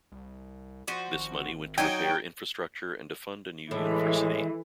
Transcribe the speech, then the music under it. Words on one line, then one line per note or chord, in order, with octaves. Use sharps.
This money went to repair infrastructure and to fund a new university.
C2
F3 F#4 C5
G#1
F#3 D#4 F#4 D#5 G5 G#5
A2 E3 G#3